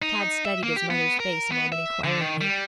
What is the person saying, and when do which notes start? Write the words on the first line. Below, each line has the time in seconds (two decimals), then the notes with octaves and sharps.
Tad studied his mother's face a moment inquiringly.
0.02 D#4
0.45 E5
0.63 A#3
0.76 G4
0.90 B3
1.20 A#4
1.52 B3
1.72 E5
2.04 D3
2.21 D#3
2.41 G3